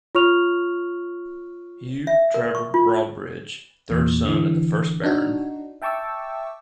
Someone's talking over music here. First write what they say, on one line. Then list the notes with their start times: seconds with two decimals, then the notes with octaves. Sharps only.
Hugh Trevor Broadbridge, third son of the first Baron.
0.15 F4 C#5 C#6 F6 F7
2.07 E5
2.34 A#4
2.55 C#6
2.74 F4
3.90 E2 A#2
4.25 D3 E3
5.03 D4 D#4 F#4
5.82 E5 G5 A5 C#6 D6 E6